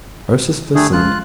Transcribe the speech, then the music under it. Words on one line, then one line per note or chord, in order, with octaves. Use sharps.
Ursus listened.
D3 G3 A3 G#4
C#2 F4 F#6